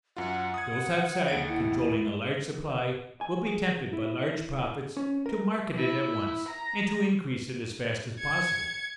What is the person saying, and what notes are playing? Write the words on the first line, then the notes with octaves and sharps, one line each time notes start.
Those outside, controlling a large supply, will be tempted by large profits to market it at once and to increase it as fast as possible.
F#2 F4 F#5
D#6 G#6
D#2 A6 D7
E4
G#5
G#4
E4
C#4
A#4
E4
A#5
G#6 C#7